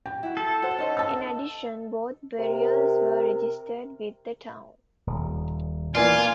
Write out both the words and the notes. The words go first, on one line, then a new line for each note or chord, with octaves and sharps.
In addition, both burials were registered with the town.
G5
E4 F#4
A4
F#4 C5
C#4 D#4 C5
A5 E6
C3 A#4
D#1
E3 A#3 F4 D5 G#5